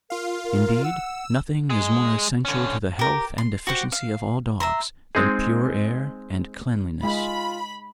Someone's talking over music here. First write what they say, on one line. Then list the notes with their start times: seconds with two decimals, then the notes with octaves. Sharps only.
Indeed, nothing is more essential to the health and efficiency of all dogs than pure air and cleanliness.
0.10 F4 A#4 F5
0.44 A#4
0.84 F#5 E6
1.70 G#3 G#4
2.45 D3 C#4
2.99 G4 A#4
3.38 C6
3.67 F#4 G4 C5 F#5
3.92 F5
4.60 E5 A#5 C6
5.15 G#3 C4 D#4 G#4
7.03 G#3 F4 B5